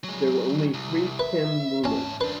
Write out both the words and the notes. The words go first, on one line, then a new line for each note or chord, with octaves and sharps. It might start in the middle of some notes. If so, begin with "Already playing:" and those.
There were only three Khen rulers.
F#3 G#3
C2
B4 E5
G#2 C#4 A5 A#5
D4 B4 C5